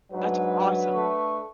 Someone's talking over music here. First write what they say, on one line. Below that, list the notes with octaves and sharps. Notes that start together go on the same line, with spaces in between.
That's awesome.
G#2 F#3 D4 B4
A3 C#6